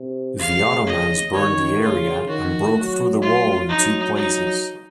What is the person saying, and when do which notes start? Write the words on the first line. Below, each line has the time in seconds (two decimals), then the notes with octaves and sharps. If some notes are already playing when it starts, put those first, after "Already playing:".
The Ottomans burned the area and broke through the wall in two places.
Already playing: C3
0.39 C#3 F5
0.86 D#5
1.34 D#3 C#5
1.81 C#3 F4
2.27 D#3 F#4
2.75 F#3
3.22 F4
3.69 F#3 D#4
4.16 F#3 D#4